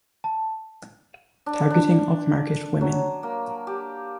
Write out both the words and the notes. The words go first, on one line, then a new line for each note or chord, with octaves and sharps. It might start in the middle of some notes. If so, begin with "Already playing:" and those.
Targeting upmarket women.
A5
D4
D4
F#3
A#3
G4